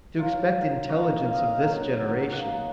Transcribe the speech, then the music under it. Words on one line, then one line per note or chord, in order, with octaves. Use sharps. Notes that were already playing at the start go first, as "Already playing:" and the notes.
"To expect intelligence of this generation!"
F#3 F4
D#3
A#3 F#4
D#3 F5
D#5
F5
F#3 F#5
D#3
A#3 F#5